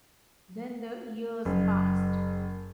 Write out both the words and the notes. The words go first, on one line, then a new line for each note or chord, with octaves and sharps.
Then the years passed.
F#1